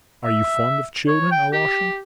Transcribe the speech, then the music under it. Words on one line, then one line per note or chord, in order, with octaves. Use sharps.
Are you fond of children, Alyosha?
E5
C#5
G5
G4